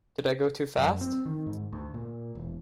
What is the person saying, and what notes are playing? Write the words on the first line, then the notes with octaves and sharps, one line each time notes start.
Did I go too fast?
F#2
C4
D#3
G#2
D2
A#2
E1